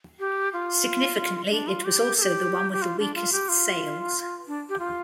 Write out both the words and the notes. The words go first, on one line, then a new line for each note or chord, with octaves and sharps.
Significantly, it was also the one with the weakest sales.
G4
F4
D4
F4
G4
A4
G4
G4
F4
D4
F4
G4
F4
D4
G4
F4